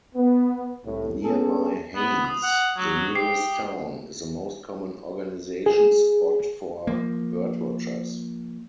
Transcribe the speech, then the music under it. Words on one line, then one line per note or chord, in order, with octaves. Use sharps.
Nearby Haines, the nearest town, is the most common organization spot for birdwatchers.
B3
C2 A2
B3 C#4 G#4 A4
B3
D#6
F#5
F#3
G4 C7
G#4
F3 A#3